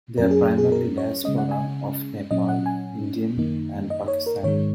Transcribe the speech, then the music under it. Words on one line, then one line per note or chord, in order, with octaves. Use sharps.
They are primarily disapora of Nepal, Indian and Pakistani.
F#2 F#3 C#4 A#4
G#4
G#4
A#4
C#5
C#3 G#3 C#4 D#5
F#5
G#5
A#2 F#3 C#4 D#5
F#5
G#5
F#2 D#3 A#3 D#4
D#5
C#5
A#4
G#2 D#3 G#3 C#5